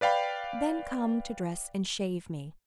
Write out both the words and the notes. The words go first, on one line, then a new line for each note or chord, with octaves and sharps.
"Then come to dress and shave me."
B4 D5 F5 G5 B5